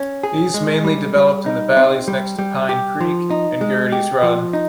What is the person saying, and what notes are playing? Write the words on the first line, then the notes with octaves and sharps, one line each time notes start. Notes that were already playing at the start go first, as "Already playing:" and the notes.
These mainly developed in the valleys next to Pine Creek and Girtys Run.
Already playing: C#4
G#4
G#3
G3
G3
D#4
C4
G3
G3
G4
F3
D#4
G#3
G4
F3
D#4